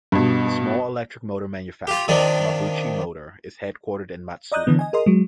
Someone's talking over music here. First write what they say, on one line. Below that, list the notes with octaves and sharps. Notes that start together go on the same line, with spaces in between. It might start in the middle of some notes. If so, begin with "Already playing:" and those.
The small electric motor manufacturer, Mabuchi Motor is headquartered in Matsudo.
G2 B2
F4 G4
C3 D#3 F3 D4
D5 D#5 A#5 D#6 F#6 G6
D3 E3 B3
D#5 G#5
G#4 A#4 D#5 C6
F#3 G#3